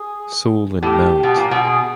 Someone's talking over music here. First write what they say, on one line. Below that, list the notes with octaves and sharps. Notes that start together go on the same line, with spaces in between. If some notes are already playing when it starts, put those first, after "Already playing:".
Sole and Mt.
Already playing: G#4
A2 G4
B2
A#2
B2
G#4